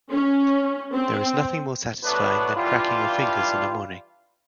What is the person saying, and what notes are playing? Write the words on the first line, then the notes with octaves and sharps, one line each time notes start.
There is nothing more satisfying than cracking your fingers in the morning.
C#4
C4
B2 F#3 A3 B3 D4 B4
E3 G3 D4 F4